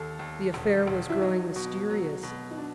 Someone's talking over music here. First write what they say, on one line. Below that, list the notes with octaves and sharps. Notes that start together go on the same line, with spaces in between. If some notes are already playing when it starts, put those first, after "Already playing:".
The affair was growing mysterious.
Already playing: D#2 A4
D#2
E1
E1
E4
F#3 D#4
B2
F#3
B2
D#4
D4